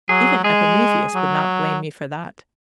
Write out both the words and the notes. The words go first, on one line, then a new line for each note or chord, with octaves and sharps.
Even Epimetheus would not blame me for that.
F#3 G#4
G#3 G#4
F#3